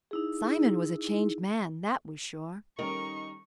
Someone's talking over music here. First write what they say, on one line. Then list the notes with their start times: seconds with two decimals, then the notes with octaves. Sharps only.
Simon was a changed man, that was sure.
0.11 D#4 E4 G#4
2.79 D#3 G3 C#4 D#4 A#4 A#5 C#6